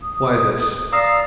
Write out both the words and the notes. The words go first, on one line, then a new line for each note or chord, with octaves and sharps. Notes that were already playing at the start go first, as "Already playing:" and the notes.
"Why, this..."
D#6
D5 F5 A#5 D#6 E6